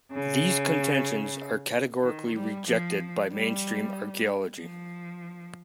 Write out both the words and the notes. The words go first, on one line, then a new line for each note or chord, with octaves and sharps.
These contentions are categorically rejected by mainstream archeology.
C#3
D#3
G3
F3
G3
F3